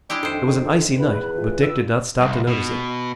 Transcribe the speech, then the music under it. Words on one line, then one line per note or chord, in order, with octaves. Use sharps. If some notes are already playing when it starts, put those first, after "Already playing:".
It was an icy night, but Dick did not stop to notice it.
G#3 D4 E4 G4
F2 D#3 D4 A4 C5
E2 B4 B5
F4
G3 E6
C2
B2